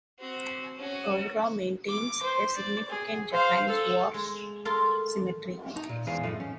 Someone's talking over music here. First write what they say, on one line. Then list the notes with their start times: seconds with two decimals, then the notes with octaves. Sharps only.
Cowra maintains a significant Japanese war cemetery.
0.19 C4 F#4
0.77 C#4 F#4
1.88 D6
2.22 C5
2.55 D5
2.90 G#4
3.32 C5 F5
3.68 A4
4.14 G#3
4.65 F4 A4 A#4 F5
5.76 D#4
5.89 A#2
6.07 E2 E3 G#3 G#4 C5 F5
6.23 F#2 A2 F3 A3 D#4
6.40 C#4